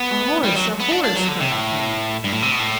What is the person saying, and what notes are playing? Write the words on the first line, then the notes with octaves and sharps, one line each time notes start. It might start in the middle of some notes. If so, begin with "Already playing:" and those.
'A horse! a horse!' cried the king.
Already playing: B3
G3
F#3
B3
D4
D4
F#3
D3
C3
A2
G2
A2
C3
B2
A2